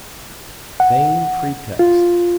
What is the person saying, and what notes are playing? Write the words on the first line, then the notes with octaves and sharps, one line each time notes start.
Vain pretext!
F#5
F4